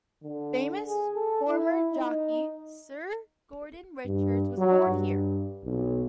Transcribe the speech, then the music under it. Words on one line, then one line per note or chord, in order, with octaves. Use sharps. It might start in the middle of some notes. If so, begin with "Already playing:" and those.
Famous former jockey, Sir Gordon Richards was born here.
D3
G#4
A4
E4
D#4
G2
F#3
G2
B1